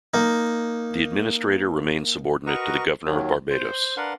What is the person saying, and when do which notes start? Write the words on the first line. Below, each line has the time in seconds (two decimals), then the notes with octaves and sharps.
The administrator remained subordinate to the Governor of Barbados.
0.14 A#3 D#4
2.47 F#4 A#4 B4 D#5 A#5 C#6
3.05 D#2 D#3 F#3
3.50 C5
3.97 D4 A#4 B4 F5 F#5 C6